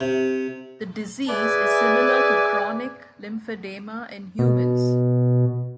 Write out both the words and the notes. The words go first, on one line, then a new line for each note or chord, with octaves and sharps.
The disease is similar to chronic lymphedema in humans.
C3
G#4 B4 D5 E5 G#5
B2